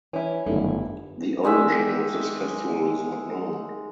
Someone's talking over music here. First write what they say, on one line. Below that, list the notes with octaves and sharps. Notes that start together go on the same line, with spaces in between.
The origin of this festival is not known.
E3 C#4 E4
G1 F#2 D#3 A3 E4
D#3 G#3 G4 E5